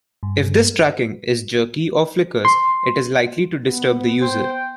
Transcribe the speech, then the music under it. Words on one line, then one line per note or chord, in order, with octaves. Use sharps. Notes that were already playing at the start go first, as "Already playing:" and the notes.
If this tracking is jerky or flickers it is likely to disturb the user.
G2
C6
B3
C5 G5